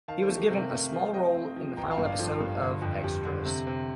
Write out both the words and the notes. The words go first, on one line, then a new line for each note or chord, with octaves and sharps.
He was given a small role in the final episode of "Extras".
D#3 F5 A5
A4 C5
A3
G4 A#4
C3 G4 A#4
A3
F3 F4 A4
C4 D#5 G5
C4
F3
A1 G5 A#5
F5 A5
G2
D5 F5
F3 F4 A4
G2
D3
F2
F2 G4
D3
C3
C3